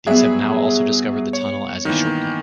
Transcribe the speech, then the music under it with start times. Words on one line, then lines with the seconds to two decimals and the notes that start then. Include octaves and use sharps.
These have now also discovered the tunnel as a "shortcut".
0.06 G2 F#3 B3 G#4 E5
1.33 C#5
1.85 B2 D#3 E3 A#3